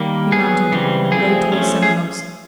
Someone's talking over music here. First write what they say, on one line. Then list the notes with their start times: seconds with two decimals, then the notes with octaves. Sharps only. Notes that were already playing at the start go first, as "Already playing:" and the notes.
He mounted and rode toward Semenovsk.
Already playing: D#3 G3 A#3
0.32 F#3 B3 G#4
0.72 C#3 E3 G3 C4
1.12 F3 A3 C4 G#4
1.52 F3 A3 C#4
1.82 G#4